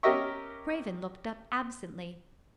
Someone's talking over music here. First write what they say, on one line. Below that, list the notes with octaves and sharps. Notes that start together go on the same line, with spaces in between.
Craven looked up absently.
C#4 G4 A#4 D#5 E5 C#6